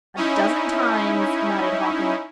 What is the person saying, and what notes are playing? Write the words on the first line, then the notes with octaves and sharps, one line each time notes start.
"A dozen times," nodded Hawkins.
C#4 D#4 E4